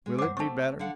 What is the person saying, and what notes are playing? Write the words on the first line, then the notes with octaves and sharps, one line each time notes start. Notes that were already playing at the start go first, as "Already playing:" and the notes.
"Will it be better?"
G#3
F#2 C5 F#5 D6
A3 C4 A5 C#6
D3 F5 F#5